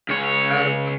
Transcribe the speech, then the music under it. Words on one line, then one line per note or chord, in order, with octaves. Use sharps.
Um, uh
C#2 C#5